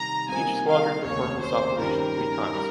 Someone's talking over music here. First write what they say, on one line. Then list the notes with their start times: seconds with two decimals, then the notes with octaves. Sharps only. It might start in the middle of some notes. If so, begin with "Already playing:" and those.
Each squadron performed this operation three times.
Already playing: C3 D#3 G3 A#5
0.29 C2 C3 F3 A#3 D#4 G#5
0.67 F5
1.04 F1 D#2 C#3 C#5
1.42 C5
1.78 G2 D#3 G3 C#4 G4 A#4
2.54 G3